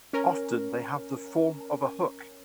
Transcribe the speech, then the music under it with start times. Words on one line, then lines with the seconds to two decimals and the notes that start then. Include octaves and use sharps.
Often, they have the form of a hook.
0.13 C#4 A#4